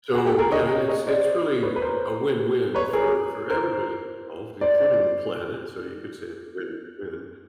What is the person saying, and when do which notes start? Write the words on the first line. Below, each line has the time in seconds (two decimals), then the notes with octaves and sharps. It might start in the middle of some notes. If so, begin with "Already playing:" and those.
So, yeah, it's it's really a win-win for for everybody involved, including the planet, so you could say it's win-win,
0.14 F#4 G#4
0.26 G4 A4
0.39 G#4 A#4
0.52 C#5 D#5
0.89 C#5 D#5
1.07 C5 D5
1.63 B4 C#5
1.76 B4
1.82 A#4 C5
2.75 B4 C#5
2.93 G#4 A#4
3.50 A#4 C5
4.61 C5 D5